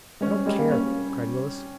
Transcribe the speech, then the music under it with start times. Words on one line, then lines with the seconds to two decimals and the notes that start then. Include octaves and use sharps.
"I don't care!" cried Willis.
0.21 G#3 C#4
0.34 G3
0.46 G3 G#3
0.59 A#3
0.71 C#4